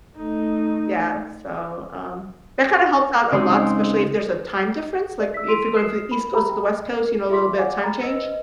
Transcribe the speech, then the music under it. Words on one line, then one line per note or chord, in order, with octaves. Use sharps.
Yeah, so, um, that kinda helps out a lot, especially if there's a time difference, like if you're going from the East Coast to the West Coast, you know, a little bit of time change.
A3 D#4
C#3 G#3 C4 D#4
D5 E5
E6 B6
E4 C6 B6 D7 D#7 F7
D#6 F6 C7 E7
B5
G4 G#4 E5 G5 A#5 B5
F4 G#4 E5 C6 D6 B6
D5 F5 F#5 G#5 D6
A#5 B5 G#6 A6
B4 C5 D#5 E6 A#6
B4 D#5